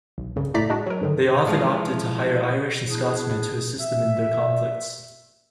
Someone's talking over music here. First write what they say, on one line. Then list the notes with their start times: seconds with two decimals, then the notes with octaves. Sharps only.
They often opted to hire Irish- and Scotsmen to assist them in their conflicts.
0.18 B1
0.36 G2 C#3
0.54 A2 A3 D5 A#5 B6
0.70 G#3 D4 F#4
0.86 F#3 A#4
1.01 G2 D3 D#3
1.45 C3 E3 F3 G#3 C4
2.88 B3 D4 E4 G#4
3.80 E5